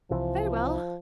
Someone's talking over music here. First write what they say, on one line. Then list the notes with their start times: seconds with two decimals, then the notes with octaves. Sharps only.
'Very well.
0.11 C2 C3 E3 F3